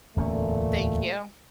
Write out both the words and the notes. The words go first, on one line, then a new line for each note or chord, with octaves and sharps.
Thank you.
D1 E2 A#2 A3 C#4